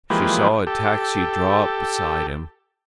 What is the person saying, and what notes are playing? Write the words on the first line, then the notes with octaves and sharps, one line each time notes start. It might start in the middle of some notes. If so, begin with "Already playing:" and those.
She saw a taxi draw up beside him.
E3 F3 G#3 A#3 G4 B4
G4 A4